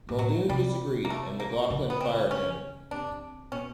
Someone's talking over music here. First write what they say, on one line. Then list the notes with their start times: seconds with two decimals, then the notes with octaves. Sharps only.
Muldoon disagreed, and McLaughlin fired him.
0.09 A2
0.19 F#3
0.49 C3 G3
1.05 A#3
1.10 A3
1.40 A#3
1.70 C#3
1.90 B3
2.01 C4
2.31 C#4
2.91 C3 D4
3.52 B2 C#4